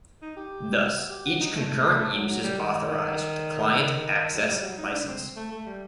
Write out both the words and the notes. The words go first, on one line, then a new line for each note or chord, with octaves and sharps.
Thus each concurrent use is authorized with a client access license.
D#4
G4
G4
F#4
G4
F#4
D#4
A3
A3
F#3
F#3
G3
D#3
D#3
D#3
F#3
G3
F#3
D#4
D4
C4
A3
A3
G3